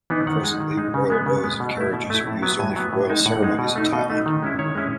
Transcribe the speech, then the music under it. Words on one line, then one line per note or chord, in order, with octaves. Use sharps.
Presently, Royal Wos and carriages are only used for royal ceremonies in Thailand.
E3 B3 D#4
D#3 F#5
G#3 D#4
D#3
G#3 D#4
C#3
G#3 B3
C#3
G#3 B3
B2
A3 E4
B2
A3 E4
A2
F#3 B3
A2 G#5
F#3 B3
A2
G#3 D#4
A2 F#5
G#3 D#4
B2
A3 D#4
B2 D#5
A3 D#4
D#3
G#3 C#4 E4
D#3 C#5
G#3 C#4 E4